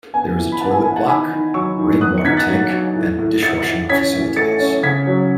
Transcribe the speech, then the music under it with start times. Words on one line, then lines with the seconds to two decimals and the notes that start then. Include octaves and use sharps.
There is a toilet block, rain water tank and dish-washing facilities.
0.14 B3 G#5
0.37 E3
0.52 B5
0.61 B3 F#5 A5
0.73 G#5
0.84 E3 G#5
0.96 F#5 A5
1.07 D#3 G#5 B5
1.31 D#3
1.54 F#3 C#6 E6
1.78 D#3
2.01 B3 D#6 F#6
2.18 C#7
2.25 D#4 G#6 B6
2.37 F#6 A6
2.49 F#3
2.72 F#3
2.96 A2
3.19 A2
3.42 A2 A6 C#7
3.66 E3
3.89 C#4 G#6 B6
4.13 A2
4.36 A3 A6 C#7
4.60 C#4
4.83 C#3 G#6 B6
5.07 F#3